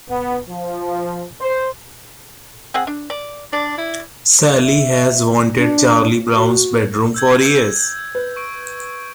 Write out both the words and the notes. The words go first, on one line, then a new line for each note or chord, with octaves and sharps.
Sally has wanted Charlie Brown's bedroom for years.
B3
F3
C5
C4 G#4 F#5
D4
D5
D4 D5
E4
E5
D4
F#4
E6 G6 G#6
B4
C#6 D7